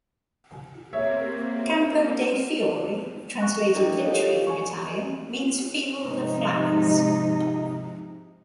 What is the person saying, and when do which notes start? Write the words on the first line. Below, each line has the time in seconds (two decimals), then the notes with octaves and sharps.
"Campo de' Fiori", translated literally from Italian, means "field of flowers".
0.93 A#3 C4 C#5 E5
3.39 C#6 F#6 A#6
3.74 D4 E4 A#4 D5 D#5 G5
4.05 F4 G4 A4 C#5 D#5 F5
4.47 G#5 C#6
6.03 G#2 C3 F3 G#3 D#4